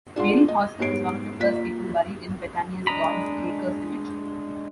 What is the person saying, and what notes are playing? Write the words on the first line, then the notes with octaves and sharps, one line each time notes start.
Mary Hauser was one of the first people buried in Bethania's God's Acre cemetery.
D4 F4 G#4 F#5 C6
D#5
G#2 B3 G4 C#5 C7 D7
A#3 F4 B6
G#3 D4 D#5 A#5 B5